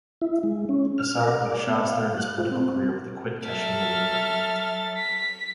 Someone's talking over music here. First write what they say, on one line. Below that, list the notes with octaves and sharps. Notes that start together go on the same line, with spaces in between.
Assad Ullah Shah started his political carrer with the Quit Kashmir Movement.
E4
G#3
C#4
F6
A#4
D5
B3
F5
F#6
F4
C4
F#3 A4 E5 F6 A6
B6